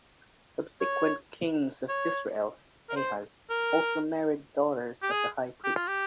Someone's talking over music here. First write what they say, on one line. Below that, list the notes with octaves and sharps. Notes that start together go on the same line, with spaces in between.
Subsequent kings of Israel, Ahaz, also married daughters of the high priest.
C#5
C#5
A#4
C5
A#4
G4
G#4
G4
F4
G4